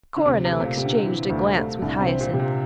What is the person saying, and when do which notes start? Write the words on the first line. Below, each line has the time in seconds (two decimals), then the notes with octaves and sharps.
Coronel exchanged a glance with Hyacinth.
0.16 D3
0.25 D2 C3
0.45 C3
0.52 A3
0.60 C3
0.64 A#2
0.78 C3
0.85 D3
1.03 E3
1.29 D2
1.56 A3
1.82 C2 D3
2.01 C3
2.07 C4
2.21 A#2
2.33 C3
2.39 A#2